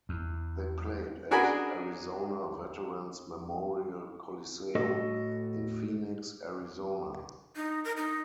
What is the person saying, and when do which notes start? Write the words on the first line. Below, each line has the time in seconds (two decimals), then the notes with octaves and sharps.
They played at Arizona Veterans Memorial Coliseum in Phoenix, Arizona.
0.09 E2
1.31 D4 F#4 G#4 A#4 G#5 B5
4.75 A2 F#4 A4 D#5
7.56 D#4
7.84 A#4
7.97 D#4